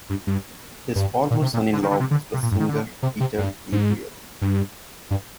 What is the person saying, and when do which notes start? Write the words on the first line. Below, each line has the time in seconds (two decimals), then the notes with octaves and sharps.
His former son-in-law was the singer Peter Gabriel.
0.10 G2
0.27 G2
0.96 G2
1.31 A#2
1.42 C3
1.54 A#2
1.73 D3
1.82 D#3
1.91 D3
2.00 C3
2.11 D3
2.34 C3
2.43 A#2
2.51 G2
2.60 D#3
2.69 D3
3.03 C3
3.20 C3
3.38 G2
3.72 G#2
4.42 G2
5.11 G2